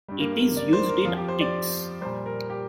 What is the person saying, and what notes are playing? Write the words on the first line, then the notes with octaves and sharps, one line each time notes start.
It is used in optics.
G2 G3
A#3
A#3
D5
C5
A#4
F2 F3 F4
G4
C5
D5
A#2 G3 C5
A#4
G4